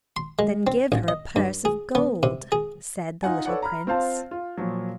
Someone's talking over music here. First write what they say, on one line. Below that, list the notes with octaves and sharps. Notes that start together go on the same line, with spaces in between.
"Then give her a purse of gold," said the little prince.
C6
G#3
C4
A1
D#5
G2
G#4
B3
C3
G#4
D#4 F4 F#5 G#5
A4 B4 C#5 D5 F#5
A#5 B5 F6
C4 F4 C5 F5 A5
F4
A#2 F3 F#3